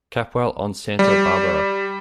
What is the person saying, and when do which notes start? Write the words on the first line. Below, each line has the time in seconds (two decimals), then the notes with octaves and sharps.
Capwell on "Santa Barbara".
0.99 G3